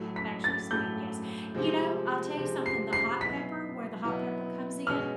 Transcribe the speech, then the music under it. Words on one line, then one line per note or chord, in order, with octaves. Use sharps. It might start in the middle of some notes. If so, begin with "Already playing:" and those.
It's actually sweet. Yes, you know, I'll tell you something, the hot pepper where the hot pepper comes in,
Already playing: A2 F#3 A3
B6
A6
A2 F#3 A3 G6
C3 F3 G#3
C3 F3 G#3
C7
C7
B2 F#3 B3 E4 B6
B2 F#3 B3 E4
B2 G#3 C#4 F6